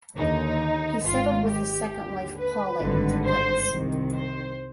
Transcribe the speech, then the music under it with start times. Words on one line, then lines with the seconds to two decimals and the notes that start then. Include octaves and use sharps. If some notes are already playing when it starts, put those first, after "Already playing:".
He settled with his second wife Paula in Teplitz.
0.16 D#2 D3 D#4
1.04 G#1 G#2 D#3 F4
1.48 G4
1.92 D#2 D3
2.37 B4
2.81 G#1 G2 D3
3.24 C5
3.69 C2 C3 D#3
4.13 C5